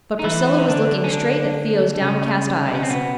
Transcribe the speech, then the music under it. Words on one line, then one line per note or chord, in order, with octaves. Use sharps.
But Priscilla was looking straight at Theo's downcast eyes.
D#4
E3 E4
D#4
D3 D4
C#4
D3 D4
C#3 C#4
D4
C#4
C4
B2 B3